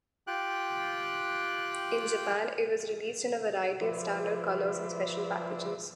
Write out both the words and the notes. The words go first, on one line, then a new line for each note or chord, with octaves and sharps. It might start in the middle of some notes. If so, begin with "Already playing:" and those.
In Japan it was released in a variety of standard colors and special packages.
F4 G4 G5 F#6
F3 B4 C5 D5 E5